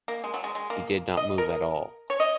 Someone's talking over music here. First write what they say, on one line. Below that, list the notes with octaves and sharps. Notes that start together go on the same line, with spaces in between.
He did not move at all.
A#3
G#3
F#3
G#3
G#3
A#3
D#5
A#4
C#5
D#5